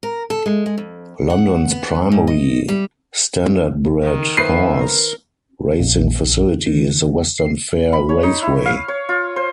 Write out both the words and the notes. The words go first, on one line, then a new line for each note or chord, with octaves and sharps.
London's primary standardbred horse racing facility is the Western Fair Raceway.
A#4
A4
G#3
G#3
F2
F#5
B3
G#2
D#5
G3
D#3
B4 C5 E5 B5 C7
A#4
A#1
D#3
C7
B5
C#5
D#4
E4
F5
C#5
F4
C5